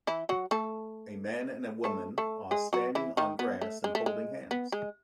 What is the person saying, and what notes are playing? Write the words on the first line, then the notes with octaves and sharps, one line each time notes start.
A man and a woman are standing on grass and holding hands.
E3 E4
F#3 F#4
A3 A4
A3 A4
A3 A4
G#3 G#4
F#3 F#4
E3 E4
D#3 D#4
B3
A3
G#3
A3
G#3
B3
G#3